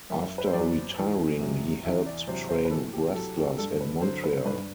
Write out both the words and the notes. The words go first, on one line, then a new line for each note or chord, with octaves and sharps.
After retiring, he helped train wrestlers in Montreal.
F#2 E5
B4
C5
F#3 D5
E2
C3 F#3
E2 E5
D5
C3 F#3 C5
C5
B4
A2 A4
G4
F#3 A4
G4
G2 A4
B4
D3 F#3 C5
B4
G2 B4